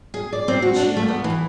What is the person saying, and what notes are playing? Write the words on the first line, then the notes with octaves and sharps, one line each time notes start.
Did she not?
G#4
D5
C4
F#4
D4
A3
B3
E3